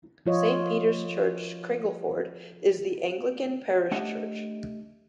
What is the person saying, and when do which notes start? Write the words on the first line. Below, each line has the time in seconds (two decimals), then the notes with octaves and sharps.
Saint Peter's Church, Cringleford is the Anglican parish church.
0.26 F3 F4 C#5 D#5
3.91 A3 D4 G4 D#5 E5 F#5